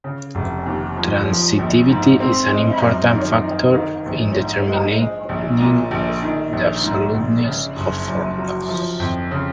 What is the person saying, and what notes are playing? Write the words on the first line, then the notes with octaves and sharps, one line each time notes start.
Transitivity is an important factor in determining the absoluteness of formulas.
C#3
F1
D#2
F3
F3
A#1
G#2
C4
G#3
F#2
D#3
D#4
D#3
A#1
G#2
G#3
G#3
A#1
A#2
A#1
D#3
A#1
G#2
A#1
C#3
F#1
F#2
F#3
F3
F2
C#3